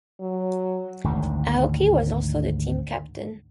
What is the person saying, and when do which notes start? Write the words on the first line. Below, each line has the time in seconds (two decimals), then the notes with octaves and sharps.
Aoki was also the team captain.
0.20 F#3
1.04 G#1 D2 G#2